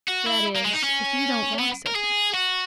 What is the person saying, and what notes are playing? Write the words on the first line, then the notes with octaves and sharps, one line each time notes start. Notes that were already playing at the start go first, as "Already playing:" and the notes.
That is, if you don't walk so fast.
F#4
E4
A#3
G#3
D#4
C#4
B3
A#4
G#4
F#4